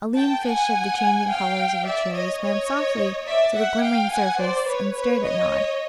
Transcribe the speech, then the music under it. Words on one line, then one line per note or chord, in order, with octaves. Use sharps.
A lean fish of the changing colours of a cherry swam softly to the glimmering surface and stared at Nod.
G5 A5
F#5 G#5
F5 G5
D5 E5
C#5 D#5
C#5 D#5
D5 E5
E5 F#5
F5 G5
F#5 G#5
C5 D5
B4 C#5
B4 C#5
C#5 D#5